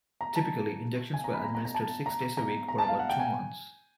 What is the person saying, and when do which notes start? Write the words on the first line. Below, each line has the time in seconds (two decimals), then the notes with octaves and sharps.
Typically, injections were administered six days a week for about two months.
0.21 A#5
0.36 A5
1.14 G#5
1.24 A#5
1.34 B5
1.44 A#5
1.55 A#5
1.65 A#5
1.75 A5
2.06 A#5
2.37 A#5
2.68 A#5
2.78 A5
2.88 F5
2.99 F#5
3.09 G5
3.20 G#5